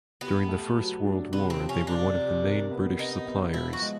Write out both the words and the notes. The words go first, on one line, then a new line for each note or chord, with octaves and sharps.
During the First World War they were one of the main British suppliers.
B3 G4
A3
F#3
D4
C3 B3
C4
F3
C#4
C3 D4
C3
A#4
B3
B3 D#4
B3
F3 E4
F#4
G#3